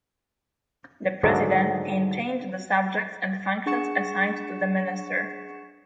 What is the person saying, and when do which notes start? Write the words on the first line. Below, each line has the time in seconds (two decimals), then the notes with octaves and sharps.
The President can change the subjects and functions assigned to the Minister.
1.23 G#2 D3 D#3 F#3 A4 D#5
3.66 D4 G#4 F#5 C#6 C#7 E7